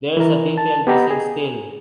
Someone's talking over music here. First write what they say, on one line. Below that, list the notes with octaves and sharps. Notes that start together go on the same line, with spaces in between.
There is a detail missing still.
E3 A#4
A5
B3 G4 D#5 A#5
G#4